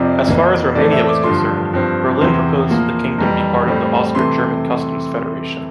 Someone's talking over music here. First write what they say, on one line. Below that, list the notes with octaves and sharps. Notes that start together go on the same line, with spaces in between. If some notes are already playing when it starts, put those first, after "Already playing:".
As far as Romania was concerned, Berlin proposed that the kingdom be part of the Austro-German customs federation.
Already playing: F2 C3 F3 C4 D5
F2 E3 A#3
A2 E3 A3 C4 D5
E5
D6
G2 D3 F3 C6
G2 F3 C4
E2 C3 E3 C6
A#2 F3 A#3
F2 E3 G3 A#5
A2 G3 C4
C3 E3 A3 C6